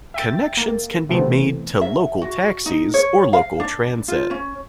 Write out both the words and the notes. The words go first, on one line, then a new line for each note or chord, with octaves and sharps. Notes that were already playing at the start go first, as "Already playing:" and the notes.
Connections can be made to local taxis or local transit.
E5 G5 A6
A#3
C3 E3 A3 B3 C4
E5
F#4
D#4
C#5
F5
D4
F4
C#4